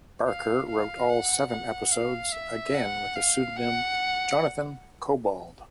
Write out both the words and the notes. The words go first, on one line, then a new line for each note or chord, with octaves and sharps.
Barker wrote all seven episodes, again with the pseudonym Jonathan Cobbald.
F5
F5
F#5
F#5
F5
E5
F#5
F5
F#5